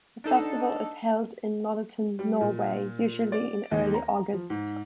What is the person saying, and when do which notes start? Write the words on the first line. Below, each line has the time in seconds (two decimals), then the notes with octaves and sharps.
The festival is held in Notodden, Norway, usually in early August.
0.24 D4 D#4 A4
2.19 G3
2.41 A#2
3.32 D5
3.71 D#2
3.94 A#5
4.33 F3
4.50 G#2